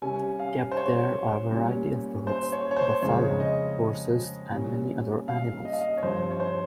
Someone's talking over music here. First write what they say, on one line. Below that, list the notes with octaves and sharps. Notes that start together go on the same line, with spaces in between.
Kept there are variety of birds, buffalo, horses, and many other animals.
C3 G3 C#4 G#5
F5
C5
C#5
A#2 G3 C#4
C5
C#5
C#5
C5
F2 C#3 G#3 C4 C#5
D#5
A#2 G3 C#4
F5
D#5
F5
D#5
C#5
G2 F3 C4 C5
C#5
C5